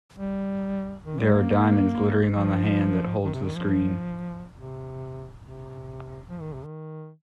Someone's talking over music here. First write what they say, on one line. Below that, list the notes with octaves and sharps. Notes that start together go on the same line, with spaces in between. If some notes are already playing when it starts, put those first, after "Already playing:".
There are diamonds glittering on the hand that holds the screen.
G3
D#3
G3
A#3
F3
D#3
C3
D#3
F3
C3
C3
F3
D#3
C3
D#3